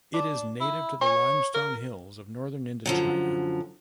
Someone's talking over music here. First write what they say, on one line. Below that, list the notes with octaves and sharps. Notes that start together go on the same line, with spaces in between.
It is native to the limestone hills of northern Indochina.
D4
E4
C#5
A#4
F#2 D3 F3